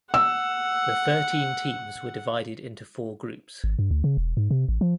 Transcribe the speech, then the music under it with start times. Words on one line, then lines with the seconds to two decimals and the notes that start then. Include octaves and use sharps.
The thirteen teams were divided into four groups.
0.14 F#5 E6
3.64 G#1
3.79 G2
3.91 D2
4.04 C#3
4.17 E1
4.37 G#2
4.51 C3
4.69 A1
4.81 F3